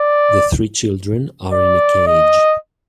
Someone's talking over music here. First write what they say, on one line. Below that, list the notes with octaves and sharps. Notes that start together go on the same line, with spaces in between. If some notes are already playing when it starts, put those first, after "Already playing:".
The three children are in a cage.
Already playing: D5
D5
D#5